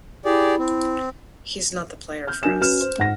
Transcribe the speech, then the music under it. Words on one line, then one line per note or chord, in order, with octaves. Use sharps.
He's not the player for us.
E4 G4 G#4 D5
C4
F6 G6
F#3 D4 A#4 G#5 E7
C#4 F#4 B4 F6 E7
C5
G#2 F#5 A#6